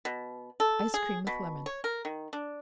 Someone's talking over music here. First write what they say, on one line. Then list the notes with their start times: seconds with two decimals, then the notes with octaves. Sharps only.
Ice Cream with Lemon.
0.05 B2
0.60 A4
0.94 G#4
1.27 B2
1.66 C#5
1.84 A#4
2.05 D#3
2.33 D4